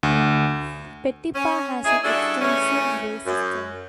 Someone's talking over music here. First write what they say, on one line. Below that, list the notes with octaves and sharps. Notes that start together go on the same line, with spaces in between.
Petipa has an extensive ray system.
D2
C#4
A#3 D#4 E4 G#4
G3 D4 E4 F#4 G#4 A4
C#3 E3 A3 C#4
F#2